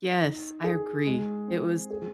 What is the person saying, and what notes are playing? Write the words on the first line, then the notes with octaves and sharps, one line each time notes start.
Yes, I agree. It was m
D#4
G#4
G#3
C4
G#4